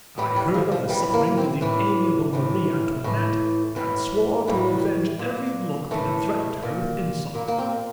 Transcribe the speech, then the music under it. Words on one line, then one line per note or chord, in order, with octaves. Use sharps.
I heard of the sufferings of the amiable Marie Antoinette, and swore to avenge every look that had threatened her with insult.
A2 E3 G3
G3
F3
F3
A2 E3 G3
A#3
C4
A2 E3 D4
A2 E3
A2 E3
A2 E3
A2 E3 G3
A#2
A2 E3 A3
A#2
A#2 A#3
A#3
C4